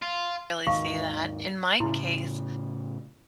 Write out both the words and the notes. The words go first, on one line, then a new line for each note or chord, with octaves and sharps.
Really see that. In my case,
F4
D#2 G#2 D#3 F5 C#6
A2 C#3 E4 C6